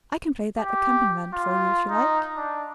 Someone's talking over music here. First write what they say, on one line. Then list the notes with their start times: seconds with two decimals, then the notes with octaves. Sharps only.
I can play that accompaniment for you if you like.
0.59 G4
1.33 F4
1.89 D#4
2.36 D4